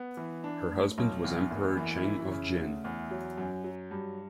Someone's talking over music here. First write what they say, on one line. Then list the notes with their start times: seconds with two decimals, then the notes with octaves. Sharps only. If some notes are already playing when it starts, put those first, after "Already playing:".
Her husband was Emperor Cheng of Jin.
Already playing: B3
0.17 E3
0.44 D4
0.71 A2
0.98 B1
1.24 E2
1.51 F#1
1.77 E3
2.04 E4
2.31 C#3
2.58 D2
2.84 E2
3.11 F#3
3.38 F#2
3.64 F#3
3.91 G2